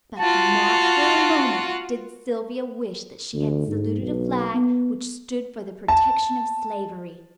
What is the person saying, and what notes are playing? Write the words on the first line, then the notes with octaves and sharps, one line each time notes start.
But not for a moment did Sylvia wish that she had saluted a flag which stood for the protection of slavery.
F4 F#4 A5
D2
G#2
B1
B3
A5